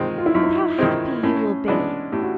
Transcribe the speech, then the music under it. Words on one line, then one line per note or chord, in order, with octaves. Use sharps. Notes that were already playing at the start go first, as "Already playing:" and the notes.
And how happy you will be!
Already playing: D#3 G#3 C4 F4
F4
E4
F#2 D#4
D#3 G#3 C4
A2 C#4
E3 G#3 B3 D4
A2 G4
F#4